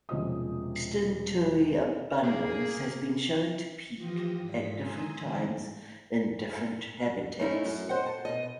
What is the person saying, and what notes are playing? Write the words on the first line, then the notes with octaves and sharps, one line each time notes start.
Eastern towhee abundance has been shown to peak at different times in different habitats.
E1 C3 F3 C#4 D#5 D#6
A#3 G#4
E3 F3 F4 G4 D#6 A#6
G#2 B6
G#5 A#5 C6 D#6 E6
D3 E3 G3 G#3 C4
A3 C#4 D#4 E4
F#2
C5 D#5 F#5
A5
B2 D#5